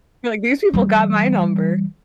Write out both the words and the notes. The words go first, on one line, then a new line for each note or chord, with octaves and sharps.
You were like, "These people got my number."
E3 G3